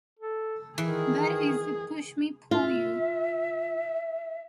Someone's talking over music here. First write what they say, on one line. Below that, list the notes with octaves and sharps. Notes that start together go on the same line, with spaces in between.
That is the pushmi-pullyu.
A4
D#3 E3 G#4
F4 E5